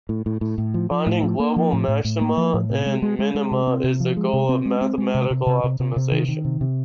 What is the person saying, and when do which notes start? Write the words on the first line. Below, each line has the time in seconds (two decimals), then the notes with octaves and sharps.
Finding global maxima and minima is the goal of mathematical optimization.
0.09 A2
0.26 A2
0.41 A2
0.58 A2
0.74 F3
0.91 F3
1.07 A2
1.23 F3
1.40 A#3
1.56 F3
1.73 A2
1.88 A2
2.05 A2
2.21 A#3
2.37 F3
2.54 A2
2.70 C3
2.86 G#3
3.02 G#3
3.19 G#3
3.35 G#3
3.51 C3
3.67 C4
3.84 C3
4.00 F3
4.17 G#3
4.33 C3
4.49 C4
4.66 G#3
4.81 C4
4.98 G#3
5.15 C3
5.31 C3
5.46 C3
5.64 C3
5.80 C3
5.96 C3
6.12 D#3
6.28 D#3
6.45 C3
6.61 C3